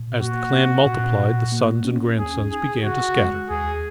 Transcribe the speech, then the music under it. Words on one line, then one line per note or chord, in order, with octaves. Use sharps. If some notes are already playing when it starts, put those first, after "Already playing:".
As the clan multiplied the sons and grandsons began to scatter.
Already playing: A#2
A#3 F#4
C#4
A#2
A#2
A#3
C#4
D#2 G#4
D#4 G#4
C#3 F#4
G#3
D#2 G#4